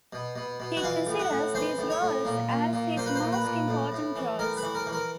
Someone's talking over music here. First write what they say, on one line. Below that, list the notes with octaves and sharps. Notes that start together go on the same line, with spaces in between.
He considers these roles as his most important roles.
B2
B2
B2
F#4
E3 F4
A2
F#4
A2
E3 C5
A2
C#5
A2
A#2
A#2
A#2
A#2 C5
B4
C5
A#2
B4
A#2
A2
A2
E3
A2 A#4
B4
E3
A#4
E3
A#4